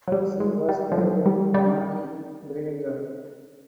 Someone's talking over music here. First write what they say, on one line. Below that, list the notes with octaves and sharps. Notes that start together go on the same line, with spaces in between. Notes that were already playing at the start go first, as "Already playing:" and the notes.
She was buried at Banani Graveyard.
F#3
G3
G#3
G3
F3
F#3
G3
G3